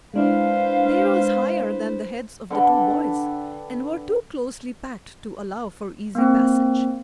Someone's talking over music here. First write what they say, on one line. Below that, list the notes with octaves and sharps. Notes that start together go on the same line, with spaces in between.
They rose higher than the heads of the two boys and were too closely packed to allow for easy passage.
G#3 D4 E4 B4 C5 F5
D3 B4 G5
A#3 C4